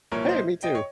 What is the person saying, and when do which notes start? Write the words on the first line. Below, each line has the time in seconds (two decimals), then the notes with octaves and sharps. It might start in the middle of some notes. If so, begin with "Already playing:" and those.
Hey, me too.
0.12 C2 A#2 F3 A#4 C#5
0.29 C5 D#5
0.63 D#5 G5
0.75 C#5